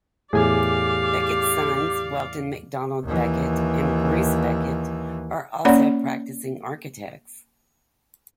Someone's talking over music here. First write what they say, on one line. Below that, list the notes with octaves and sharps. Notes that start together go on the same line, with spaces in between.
Becket's sons, Welton MacDonald Becket and Bruce Becket, are also practicing architects.
E2 A2 G4 G#4 D5 F5 G#5
D#2 E3
A#3 C#4 C#5 D5 F#5 B5